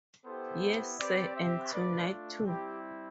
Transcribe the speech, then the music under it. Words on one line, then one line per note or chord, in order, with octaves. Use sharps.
Yes, sir, and tonight, too.
B3 E4 G4 A4 C5
C4 G4 B4 D5
C5 E5
A3 D4 F4 B4 D5
G3 C4 E4 G4